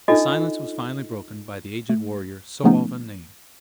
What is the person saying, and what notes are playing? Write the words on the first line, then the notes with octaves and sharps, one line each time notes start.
The silence was finally broken by the aged warrior so often named.
D4 D#4 F4 A4 D#5
A3
D3 F3 A3 B3 C#4 D#4